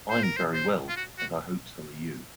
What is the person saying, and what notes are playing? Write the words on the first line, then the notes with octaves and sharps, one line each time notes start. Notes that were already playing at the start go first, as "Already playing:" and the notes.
I’m very well, and I hope so are you.
C5
A#4
C5
C5
F4
F#4
F#4